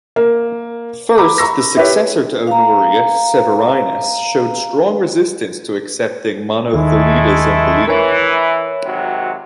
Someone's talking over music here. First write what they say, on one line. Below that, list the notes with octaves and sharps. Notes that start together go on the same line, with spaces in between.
First, the successor to Honorius, Severinus, showed strong resistance to accepting Monothelitism belief.
A#3
A#5 B5 D6
A#5 B5 C#6 E6 A#6
E4 G4 B4 C#5
F5 A#5
D#2 D#3 G#3 A3 E4
E3 A#4 C#5
G#1 C3 F#3